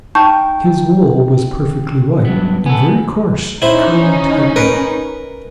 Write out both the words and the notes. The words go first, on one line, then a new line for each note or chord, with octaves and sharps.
His wool was perfectly white, and very coarse, curling tightly.
D#4 G5 A5 C#6 G6
G2 F#3 B3
B3 A4 G#5
C#4 D#4 E4 C5
A#4 B4